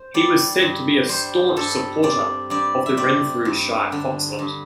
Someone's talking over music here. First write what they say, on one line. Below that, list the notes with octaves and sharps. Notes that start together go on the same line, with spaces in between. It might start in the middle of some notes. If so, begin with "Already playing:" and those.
He was said to be a staunch supporter of the Renfrewshire fox hunt.
Already playing: C5
G3 D5
G2
G3 C5
G2 A4
C4 D5
G2 D5
E5
C4 D5
G2
D3
G2